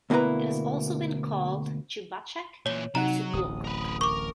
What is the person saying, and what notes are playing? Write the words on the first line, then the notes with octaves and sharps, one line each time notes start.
It has also been called "Chibuchack" and "Sevuokok".
D2 B2 A#3 E4 B4 A#5
A#2 E3 C#5 G7
C3 F#3 D#4 F#5 A#5
D1 A1 D#6
A#4 B4
A#4 C#6 D6